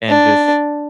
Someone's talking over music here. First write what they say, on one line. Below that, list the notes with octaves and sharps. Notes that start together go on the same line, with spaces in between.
and just
D4